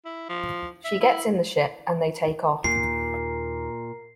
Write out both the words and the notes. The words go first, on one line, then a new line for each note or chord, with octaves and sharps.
She gets in the ship, and they take off.
E4
F3
E5
E4
D#2 A#2 A#4 C7